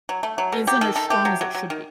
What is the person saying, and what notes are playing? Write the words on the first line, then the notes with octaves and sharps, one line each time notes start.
isn't as strong as it should be.
F#3
A3
F#3
B2
F#3 G4
D#3 A4
D#3 A4
A3 G4
F#3
F#3
F#3
D#3